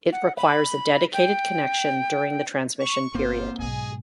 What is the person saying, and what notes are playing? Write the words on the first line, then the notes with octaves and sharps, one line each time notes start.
It requires a dedicated connection during the transmission period.
F#5
B5
G5
C#6
G1 A#3 C4 F4 G4 C5
B1 G#2 G#4 D#5 G#5